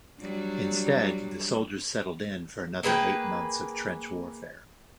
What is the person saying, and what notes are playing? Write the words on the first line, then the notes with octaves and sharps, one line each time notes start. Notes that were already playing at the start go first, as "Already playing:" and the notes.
Instead, the soldiers settled in for another eight months of trench warfare.
F#3 G3 D4
A#3 G#4 B4 G5